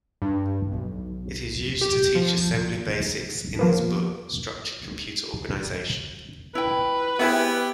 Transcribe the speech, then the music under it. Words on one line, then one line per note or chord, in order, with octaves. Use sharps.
It is used to teach assembly basics in his book "Structured Computer Organization".
G2
B1
G4
F3
F3 A#3 B3
E4 B4 G5
B3 E4 G4 G#4 C5 E5 G#5